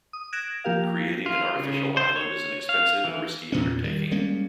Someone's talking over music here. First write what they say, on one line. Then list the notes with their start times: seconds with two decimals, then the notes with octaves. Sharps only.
Creating an artificial island is an expensive and risky undertaking.
0.13 D#6
0.33 F#6 G#6 A#6 D7 E7
0.64 F3 A#3 G4 A#4 F5
1.26 F4
1.56 C#3
1.97 C5
2.16 C#5
2.69 F5
3.04 E3
3.52 E2 A#2 C#4
3.84 D#3 G3
4.11 G3 G#3 A#3 C#4